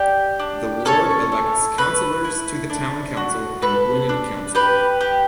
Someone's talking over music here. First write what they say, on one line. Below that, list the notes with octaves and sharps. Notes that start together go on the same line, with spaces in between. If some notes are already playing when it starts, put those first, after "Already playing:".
The ward elects councillors to the town council and Gwynedd Council.
Already playing: G4 D5
D4
C#4 A4 C#5
A3
A3 B4
E4
D4
F#4
A4 B4
D4
G4 B4
G4